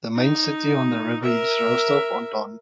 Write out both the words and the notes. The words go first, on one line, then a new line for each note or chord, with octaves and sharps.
The main city on the river is Rostov on Don.
D#4
A#4 E5